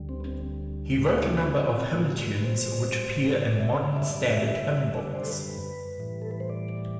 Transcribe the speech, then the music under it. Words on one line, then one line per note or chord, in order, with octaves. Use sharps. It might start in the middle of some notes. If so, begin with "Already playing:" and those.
He wrote a number of hymn tunes which appear in modern standard hymn books.
Already playing: D2 D3 G3
C4
B3
C4
E4
D4
C4
B3
C4
B3
A2 G3 A3
F#4
B4
C5
C5
D5
E5
D5
D5
F#2 D3 G3 E5
D5
E5
E5
D5
C5
A4
B4
A2 E3 G3
A4
B4
C5
D5